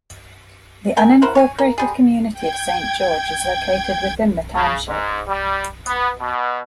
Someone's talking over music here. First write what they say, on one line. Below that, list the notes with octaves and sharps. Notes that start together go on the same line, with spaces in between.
The unincorporated community of Saint George is located within the township.
A#4 G5 G#5
E4 A#4 C5 F#5
C#5 F5 G#5
A#3
D3 G3 G#4
G5 G#6
C#3
G#2
G3
B3
B2